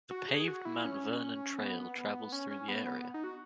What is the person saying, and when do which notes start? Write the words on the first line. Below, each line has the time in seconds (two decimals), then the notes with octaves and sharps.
The paved Mount Vernon Trail travels through the area.
0.11 F#4
0.29 G#4
0.40 G#4
0.48 F#4
0.65 E4
0.85 C#4
1.58 B3
2.32 C#4
2.51 C#4
2.68 B3
2.87 B3
3.14 D#4
3.24 F#4